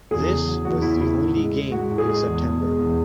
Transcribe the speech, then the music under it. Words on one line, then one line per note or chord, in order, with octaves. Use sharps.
This was the only game in September.
E2 G#4
C#3
F#3
E2 F#4
E2 E4
C#3 E4
A2
G#3
A2
G#3 F#4
A2
G#4
G#3
E2
B2
G#3
E2